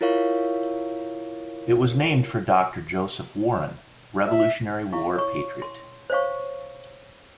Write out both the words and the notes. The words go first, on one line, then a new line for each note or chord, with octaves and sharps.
It was named for Doctor Joseph Warren, Revolutionary War patriot.
E4 F4 A#4 C#5 F5 C#6
E5
E4 F5 C#6
C#5 C#6
C6
C5 C#5 F5 C#6